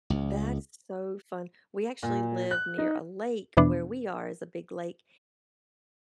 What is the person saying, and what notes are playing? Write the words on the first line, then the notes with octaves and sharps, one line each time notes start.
That is so fun, we actually live near a lake where we are is a big lake,
C#2
A#2
F#6
D#4
E2 B2 E3 B3 D4